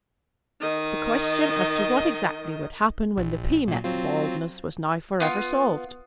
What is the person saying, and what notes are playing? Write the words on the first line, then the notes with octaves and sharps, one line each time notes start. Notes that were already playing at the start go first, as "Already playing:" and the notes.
The question as to what exactly would happen when the pea met the baldness was now for ever solved.
D#3 D#5
A#1
A#2 F#3
F#3 C4 F4
B3 F4